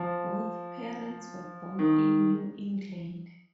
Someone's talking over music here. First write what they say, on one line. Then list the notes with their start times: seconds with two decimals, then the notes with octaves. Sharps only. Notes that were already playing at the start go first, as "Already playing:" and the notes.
Both parents were born in New England.
Already playing: F3
1.79 D#3